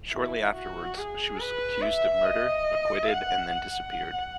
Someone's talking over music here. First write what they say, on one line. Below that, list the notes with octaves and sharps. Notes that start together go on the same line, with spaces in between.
Shortly afterwards, she was accused of murder, acquitted and then disappeared.
E4
F#4
G#4
B4
E5
D#5
F#5
F#5